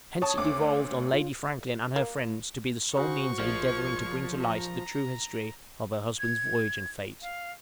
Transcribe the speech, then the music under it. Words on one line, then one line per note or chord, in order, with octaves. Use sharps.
Hence it devolved on Lady Franklin and her friends to be the sole means of endeavoring to bring to light the true history of her husband's voyage and fate.
C#5 A5 C#6 D#6
D2 D6
F4
A#3
C#3 F#4 C5 C#6
A#1 F3 G#6
A#5
G#6
F5